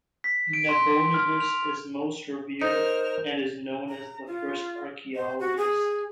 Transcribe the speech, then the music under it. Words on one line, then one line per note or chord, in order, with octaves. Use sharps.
Nabonidus is most revered and is known as the first archaeologist.
B6
D7
C6
F6
F7
D#4 A#4 C5 F6
A#5
F4
C5
F#4
G#4